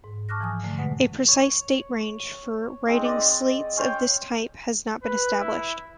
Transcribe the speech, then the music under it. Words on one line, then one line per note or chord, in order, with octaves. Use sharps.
A precise date range for writing slates of this type has not been established.
G#2
A5 C#6 D6 F6 F#6 A#6
E3 F3 G#5 C#6 D#6
D3 A3
G2 B2 G#3 F#5
C#5
G#3 C4 D#4
D5 D#5
C#4 C5 C#5 G5
B4
E4